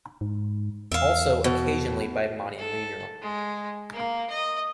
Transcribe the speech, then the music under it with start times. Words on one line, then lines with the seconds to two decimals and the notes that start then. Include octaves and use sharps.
Also, occasionally by Monty Munro.
0.21 G#2
0.92 E2 E5 F5
1.44 B2
2.59 A4
3.22 G#3
3.93 A#3
4.30 D#5